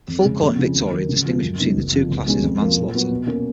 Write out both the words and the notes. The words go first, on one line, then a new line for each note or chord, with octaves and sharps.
The Full Court in Victoria distinguished between the two classes of manslaughter.
F2
C#3 G#3 C#4 G#4
F2
C#3 F3
D#2
D#3 F#3
C#3
F3 G#3
F#2
C#3 F#3 B3 D#4
F#1
F2 F3
C#2
B2 G#3 C#4
F2
F3 A#3 F4
A#2
F#3 B3 F#4
B2
A#3 C#4